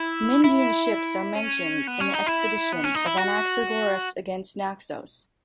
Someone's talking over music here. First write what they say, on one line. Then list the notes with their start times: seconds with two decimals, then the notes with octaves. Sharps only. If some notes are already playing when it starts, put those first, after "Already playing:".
Myndian ships are mentioned in the expedition of Anaxagoras against Naxos.
Already playing: E4
0.44 E4
1.35 C#4
1.87 B3
2.00 C#4
2.14 D#4
2.27 E4
2.73 B3
2.84 C#4
2.95 D#4
3.06 E4
3.18 F#4